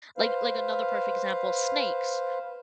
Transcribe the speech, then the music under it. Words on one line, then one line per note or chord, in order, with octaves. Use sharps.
Like like, another perfect example, snakes,
B4 C5 F5